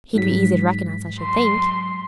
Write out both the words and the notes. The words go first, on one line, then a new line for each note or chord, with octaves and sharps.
He'd be easy to recognise, I should think.'
G#2 F#3 B6
C6